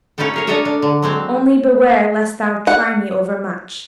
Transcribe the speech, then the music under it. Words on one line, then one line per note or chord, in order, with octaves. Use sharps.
Only beware lest thou try me overmuch.
C#4 D#4 E4 A4 G5
G#4 A#4 C#5
D4 A4 A#4 C#5 D#5 E5
D4
D3
F#3 G#3 C4
F#5